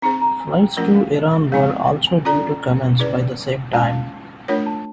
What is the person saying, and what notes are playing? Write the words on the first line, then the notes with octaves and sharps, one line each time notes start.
Flights to Iran were also due to commence by the same time.
C4 D#4 G#4 C5 A#5
A#5
G#5
G5
F3 A3 C#4 F4 A#4 F#5
F5
D#5
E5
F3 G#3 C4 D#4 F5
F#5
G5
G#5
C#4 F4 A4 D5 A#5
C#4 E4 G#4 B4 D5
G#3 C#4 F4 A5
A3 D4 F4 A#4 C#5
A5